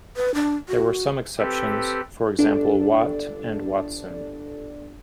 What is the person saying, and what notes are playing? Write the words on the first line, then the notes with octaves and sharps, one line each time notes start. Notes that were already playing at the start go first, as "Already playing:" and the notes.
There were some exceptions: for example "Watt" and "Watson".
B4
D4
F#4
C4 G4 A4 B4
G1 D4 A4 D5